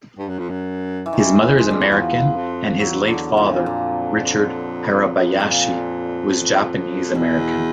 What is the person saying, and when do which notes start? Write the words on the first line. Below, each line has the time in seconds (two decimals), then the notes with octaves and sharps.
His mother is American and his late father, Richard Hirabayashi, was Japanese American.
0.18 G2
0.28 F#2
0.39 F2
0.49 F#2
1.06 E3
1.13 D#3
1.20 E3
1.34 E2
1.58 F2 G#3
1.71 G3
1.81 F#3
1.92 E2 F3
2.36 F2
2.80 E2 F#3
3.08 D3
3.37 A#2
3.66 F2 A#2
5.40 A#2
7.15 E2 B2